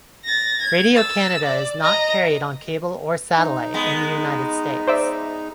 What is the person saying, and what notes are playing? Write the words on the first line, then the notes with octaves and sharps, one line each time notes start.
Radio-Canada is not carried on cable or satellite in the United States.
A6 A#6
G#6
E6 A6
D5
D#5 A#5
D#4
G#3 B3
C5 D5 E5